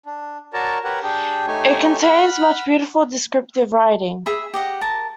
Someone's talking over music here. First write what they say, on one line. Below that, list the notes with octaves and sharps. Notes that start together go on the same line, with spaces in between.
It contains much beautiful descriptive writing.
D4
F#4 A#4 C#5 D5 A5 A#5
G4 A#4 B4 C#5 F#5
D4 G4 G#4 G5
A3 D#4 G4 C#5 G#5
F#5 B5 F6
G#4 E5 B5
G4 D#5 F#5
A#4 A5